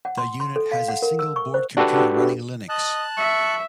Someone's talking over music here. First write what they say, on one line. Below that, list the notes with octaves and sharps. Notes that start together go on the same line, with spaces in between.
The unit has a single-board computer running Linux.
F#5
C6
C6
A4
F5
F#5
A#4
E6
C#6
C5
D4 F#4 G4 A4 B4
D#5 A5 F#6
E5 C#6